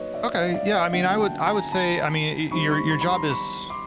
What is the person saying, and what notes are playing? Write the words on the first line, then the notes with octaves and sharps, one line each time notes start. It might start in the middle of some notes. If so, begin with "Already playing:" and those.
Okay, yeah, I mean, I would I would say I mean, y your, your job is
Already playing: F#3 A#3 D#4 B4 C#5 D#5
D5 E5
D#5 F5
F5
D5 E5
D#5 F5
D3 F#3 A#3 C#4 F4 E5 F#5
G5 A5
G#5 A#5
A5 B5
D#3 G3 C4 D#4 B5 C#6
B5 C#6
B5 C#6
B5
A#5 C6
B5 C#6
C6 D6